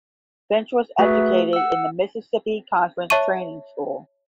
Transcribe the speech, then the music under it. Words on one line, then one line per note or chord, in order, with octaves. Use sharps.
Finch was educated in the Mississippi Conference Training School.
A3 F#4 G#4 B4 E5
F#5 E6
C#5 E5 A5 C#6 D#7